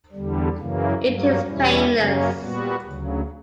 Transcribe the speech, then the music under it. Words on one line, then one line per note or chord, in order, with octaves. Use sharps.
It is painless.
E2 D3 G3
F#2 C#3 E3 A#3
G2 F#3 A#3
E2 B2 G3 C#4 E4
F#2 C#3 F#3 A#3 C#4
A#2 G3 B3 F#4
D2 C#3 F#3